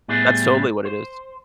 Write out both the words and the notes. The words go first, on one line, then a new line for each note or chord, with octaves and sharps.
That's totally what it is.
A2 G3 B3 E4 G#4
C5